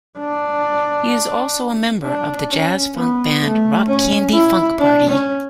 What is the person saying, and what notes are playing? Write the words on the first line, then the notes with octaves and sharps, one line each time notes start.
He is also a member of the jazz-funk band Rock Candy Funk Party.
D4
D4
C#4
B3
A3
C#4
E4
D4
C#4